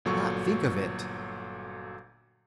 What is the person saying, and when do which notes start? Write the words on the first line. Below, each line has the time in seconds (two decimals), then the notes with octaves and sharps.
Not think of it!
0.05 G1 A#2 F#3 A4 C#6